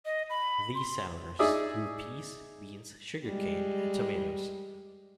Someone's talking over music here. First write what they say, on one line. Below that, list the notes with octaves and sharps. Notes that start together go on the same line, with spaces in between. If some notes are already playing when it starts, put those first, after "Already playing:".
These settlers grew peas, beans, sugar cane, and tomatoes.
D#5
B5
C6
D#4 G#4 D5 E5 D#6
G3 G#3